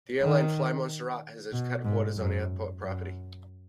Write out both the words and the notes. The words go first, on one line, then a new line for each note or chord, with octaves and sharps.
The airline FlyMontserrat has its headquarters on the airport property.
D#3
B2
G#2
F#2
F#2